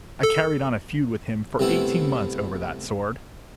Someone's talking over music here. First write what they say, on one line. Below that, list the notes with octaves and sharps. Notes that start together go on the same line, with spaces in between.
I carried on a feud with him for eighteen months over that sword.
A4
C2 C3 A3 B3 E4